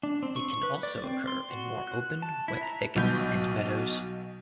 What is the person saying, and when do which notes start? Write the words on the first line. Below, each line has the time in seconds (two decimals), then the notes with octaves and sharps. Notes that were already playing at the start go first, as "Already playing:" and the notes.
It can also occur in more open wet thickets and meadows.
0.03 D4
0.23 C4
0.36 C#6
0.63 B4
0.83 D5
1.04 C4
1.27 C6
1.50 F#4
1.87 F#6
2.22 A5
2.48 E4
2.63 A#5
2.96 B1 B2 G6